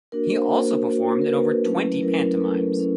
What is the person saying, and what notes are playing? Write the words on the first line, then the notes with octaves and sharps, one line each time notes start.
He also performed in over twenty pantomimes.
A#3 D4 F#4 A#4
C5
A#3 D4 F#4 C5
A#3 D4 F#4
A#4
A#3 D4 F#4 B4
F#3 A3 C#4 E4
F#3 A3 C#4 E4 A#4
F#3 A3 C#4 E4 A4
A3 C#4 E4